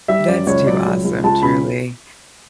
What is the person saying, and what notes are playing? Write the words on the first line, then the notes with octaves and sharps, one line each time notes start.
That's too awesome, truly.
G3 E5
F#2 D5
C#2 C#5
F#3 D5
C#2
C#2
C#2 A5
C#3 B5